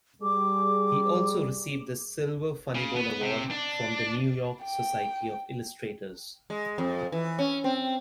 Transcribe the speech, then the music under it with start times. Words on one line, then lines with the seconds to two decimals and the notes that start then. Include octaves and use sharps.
He also received the Silver Funnybone Award from The New York Society of Illustrators.
0.22 G3 G#4 D6
2.75 C#3
2.96 B3
3.21 C3
3.51 D4
4.63 G5
6.50 G#3
6.78 F2
7.12 E3
7.39 C#4
7.64 C4